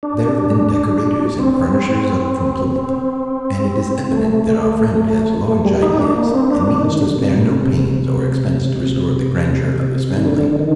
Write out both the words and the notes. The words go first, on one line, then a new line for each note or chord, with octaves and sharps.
There have been decorators and furnishers up from Plymouth, and it is evident that our friend has large ideas and means to spare no pains or expense to restore the grandeur of his family.
D4
C4
C4
A3
A3
G3
D#4
D4
A#3
C4
D4
D4
D#3
D3
C3
A#2
C3
C3
D#3
D3
D#3